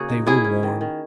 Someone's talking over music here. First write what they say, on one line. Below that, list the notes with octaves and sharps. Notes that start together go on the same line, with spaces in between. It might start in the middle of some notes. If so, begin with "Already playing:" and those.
They were warm.
Already playing: C#3 A#3 F#4 G#4
D#4
C#4 E4 G#4
C#4
D#3
D#3